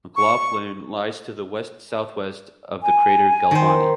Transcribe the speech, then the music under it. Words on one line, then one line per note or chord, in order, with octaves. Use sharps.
McLaughlin lies to the west-southwest of the crater Galvani.
C#6
G#5
D#3 C5